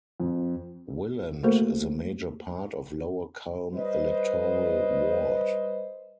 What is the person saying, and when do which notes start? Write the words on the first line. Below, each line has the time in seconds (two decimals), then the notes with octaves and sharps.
"Willand" is a major part of Lower Culm electoral ward.
0.20 F2
1.43 A3 A#3 F#4 A4 A#4 C5
3.74 G3 B4 C5 D#5